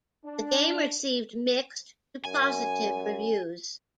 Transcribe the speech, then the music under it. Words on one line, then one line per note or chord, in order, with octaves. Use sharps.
The game received mixed to positive reviews.
D4
F#2 G#5